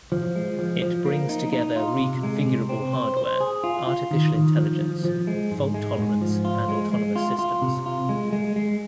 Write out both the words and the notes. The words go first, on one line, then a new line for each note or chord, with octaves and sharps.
It brings together reconfigurable hardware, artificial intelligence, fault tolerance and autonomous systems.
F3
G#3
F3
F3
A#3
D#4
D#4
F4
C3
G#3
C3
C4
C5
C5
G#4
F4
F4
D#3
D#3
F3
F3
F3
G#3
G#2
G#3
G#2
F3
F4
G#3
G#3
F4
F4
C3
F4
G#3
G#3
G#3